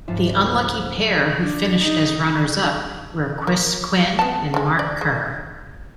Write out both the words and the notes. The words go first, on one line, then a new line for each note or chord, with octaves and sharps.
The unlucky Pair who finished as runners-up were Chris Quinn and Mark Kerr.
C#2 G#2 F3 F4 A4 E5
D4
D#4
A#3
B3 A5
D3 G#3
D5
G#3